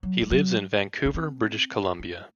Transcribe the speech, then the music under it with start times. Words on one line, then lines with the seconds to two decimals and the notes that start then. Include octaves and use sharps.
He lives in Vancouver, British Columbia.
0.03 F#3
0.21 G3
0.31 F#3
1.05 D#4
1.14 C4
2.00 D#4